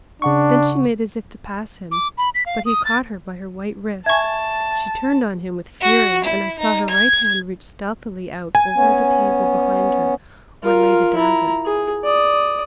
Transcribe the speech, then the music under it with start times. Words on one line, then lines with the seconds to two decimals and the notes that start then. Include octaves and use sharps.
Then she made as if to pass him, but he caught her by her white wrist; she turned on him with fury, and I saw her right hand reach stealthily out over the table behind her, where lay the dagger.
0.22 C#3 D4 F#5 C#6
1.92 D6
2.18 B5
2.35 B6
2.46 F5
2.66 D#6
2.85 A6
4.06 E5 G#5 A5 C#6 G#6
5.81 F#4
6.24 E4
6.59 D#4
6.90 G#6
8.55 G#5
8.76 B3 C#4
10.63 F4 A#4
11.15 E4 A#5
11.65 G#4
12.04 D5 D#6